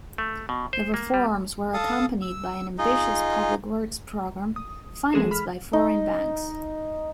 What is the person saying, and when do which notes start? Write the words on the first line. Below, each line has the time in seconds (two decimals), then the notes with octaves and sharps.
The reforms were accompanied by an ambitious public works program, financed by foreign banks.
0.18 A3
0.49 B2
0.73 C5
0.94 A#3
1.14 G3
1.74 A4 F5 A5 D#6
2.22 E6
2.78 D#4 F4 G#4 D#5
4.56 D#6
5.13 E3 G#3 G#4 A4 E7
5.31 B5 F6 B6
5.73 D#4